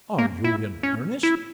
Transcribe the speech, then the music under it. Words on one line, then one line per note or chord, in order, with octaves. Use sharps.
"Are you in earnest?"
A#3
E4
C#4
E4